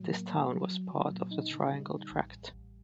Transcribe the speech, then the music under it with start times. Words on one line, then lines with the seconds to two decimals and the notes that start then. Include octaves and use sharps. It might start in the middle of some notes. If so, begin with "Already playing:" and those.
This town was part of The Triangle Tract.
Already playing: A2 F#3
0.11 A#3
0.30 A#3
0.51 F#3
0.71 F#3
0.91 F#3
1.11 A#2
1.31 D#4
1.51 D3
1.71 G3
1.91 G3
2.11 A1
2.31 A1
2.52 A1